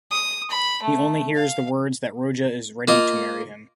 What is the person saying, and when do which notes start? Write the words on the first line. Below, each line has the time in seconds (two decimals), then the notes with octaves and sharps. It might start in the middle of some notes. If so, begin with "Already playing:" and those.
He only hears the words that Roja is ready to marry him.
0.11 D#6
0.50 B5
0.82 A3
1.35 F5
2.88 A#3 F4 D#5